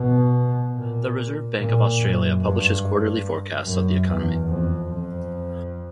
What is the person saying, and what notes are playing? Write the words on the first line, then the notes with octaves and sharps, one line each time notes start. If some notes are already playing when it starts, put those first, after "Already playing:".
The Reserve Bank of Australia publishes quarterly forecasts of the economy.
Already playing: B2
A#2
A#2
F#2
G2
F#2
E2
F2
F2